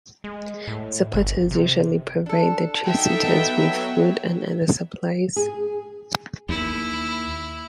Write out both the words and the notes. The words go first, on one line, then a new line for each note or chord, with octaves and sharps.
Supporters usually provide the tree sitters with food and other supplies.
G#3
A2
G1
C3
D4 A4
F#3 D#4 A4 E5 G5
F#3 B3 F#5
G#4
D#2 E4